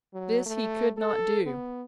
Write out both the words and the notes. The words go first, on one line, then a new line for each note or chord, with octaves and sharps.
This he could not do.
F#3
A3
A4
B3